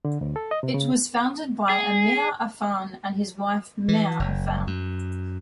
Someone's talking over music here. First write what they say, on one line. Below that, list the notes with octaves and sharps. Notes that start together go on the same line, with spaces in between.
It was founded by Emyr Afan and his wife Mair Afan.
D3
D2
A4
D#5
C3
C#3
G#4
E3
F#1
F#2